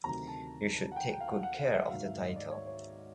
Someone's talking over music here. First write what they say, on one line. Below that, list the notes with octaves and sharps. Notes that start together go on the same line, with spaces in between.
You should take good care of the title.
D2 C3 D#3 F#3 A#5
A5
F#5
G5
G5
F5
F#5
F#5
F5
E5
G#2 D#3 F#3 F5
E5
D#5
D5
C#5
C#5